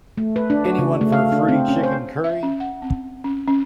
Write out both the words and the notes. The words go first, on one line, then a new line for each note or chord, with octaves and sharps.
Anyone for fruity chicken curry?
A3
B4
D4
F#4
C#3
A3
F5
D4
C4
C#4
C5
E5
C#4
F#5
C4
C#4
C#4